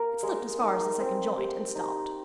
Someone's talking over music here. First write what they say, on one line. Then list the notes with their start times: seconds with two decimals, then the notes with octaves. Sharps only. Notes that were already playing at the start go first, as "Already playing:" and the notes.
It slipped as far as the second joint and stopped.
Already playing: A#3 A#4
0.23 G#3
0.61 D#4
1.00 C4
1.37 G4
1.76 D#4